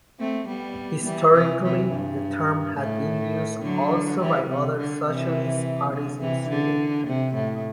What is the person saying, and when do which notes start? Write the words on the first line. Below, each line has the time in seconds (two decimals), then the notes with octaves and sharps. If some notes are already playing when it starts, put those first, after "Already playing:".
Historically the term had been used also by other socialist parties in Sweden.
0.19 A3 C4
0.47 G3 B3
1.05 E3 G3
1.33 C3 E3
1.63 C3 E3
1.91 G2
2.77 A2
3.62 D3 F#3
4.20 E3 G3
4.48 C3
4.78 D3
5.06 C3 E3
5.93 D3
6.21 C3 E3
6.49 D3
7.07 C3
7.35 A2